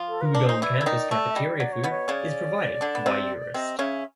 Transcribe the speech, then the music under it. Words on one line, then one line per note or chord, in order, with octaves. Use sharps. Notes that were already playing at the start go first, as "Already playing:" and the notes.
Pudong campus cafeteria food is provided by Eurest.
Already playing: F3 F4
A4
B4
A#4
D4
D#4 C5
E3 E4 D5
E4
D#3 D#4
A3
E5
G3 D#5
D#5
D5
F#3
C#5
B2 B3
C#5
C#3 C#4 D5
D3 D4
B3
C3 C4
C3 C4 D#5
C#3 C#4 E5